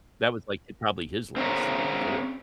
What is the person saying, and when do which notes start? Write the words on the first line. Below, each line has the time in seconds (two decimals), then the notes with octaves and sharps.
That was like e probably his last thing, too.
1.37 C4 C#4 G#4 A#4